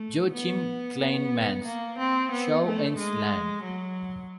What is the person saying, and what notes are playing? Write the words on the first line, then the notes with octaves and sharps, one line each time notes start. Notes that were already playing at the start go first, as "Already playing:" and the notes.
Joachim Kleinmanns: Schau ins Land.
Already playing: A3
B3
B3
A#3
C4
B3
A3
G#3
F#3